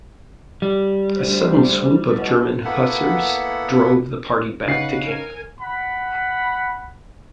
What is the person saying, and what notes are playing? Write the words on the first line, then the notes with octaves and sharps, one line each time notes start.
A sudden swoop of German hussars drove the party back to camp.
G3
D2 C5
A1 B2
A#3 B3 E4 A4 F#5 B5
C#3 D#4 B4 F#5 C7
A#4 G#5
F#5 B5